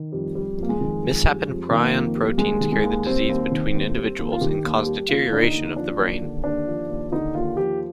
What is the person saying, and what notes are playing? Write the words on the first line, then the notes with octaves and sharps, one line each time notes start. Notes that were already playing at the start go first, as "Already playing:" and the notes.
Misshapen prion proteins carry the disease between individuals and cause deterioration of the brain.
Already playing: D#3
F2 G3
G3
F2 A#3
G#3
D#3
F2
G3
F2
D#3 A#3
F2
G3
D#2 G#3
D#3
G#3
D#2
G3 C4
D#2
D#3
D#2
G3
D#2
F4
D#3 G4
D#2
G3
D#2 F4
D3 D4
D#4
D#2
F3 D4
D#2
D3
D#2 D4
F3
D#2
D3 D#4
D#2 F4
F3 G4